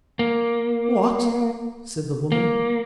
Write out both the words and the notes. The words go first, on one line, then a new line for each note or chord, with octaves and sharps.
"What?" said the woman.
A#3
A#3